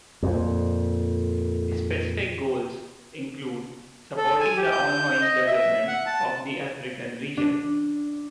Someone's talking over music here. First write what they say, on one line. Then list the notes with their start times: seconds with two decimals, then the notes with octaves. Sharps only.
Specific goals include supporting the ongoing development of the African Region.
0.22 F2 A#2
4.17 A4
4.40 G#5
4.57 G4
4.72 G6
5.22 D#5
5.46 E5
5.88 F#5
6.06 A5
7.37 D4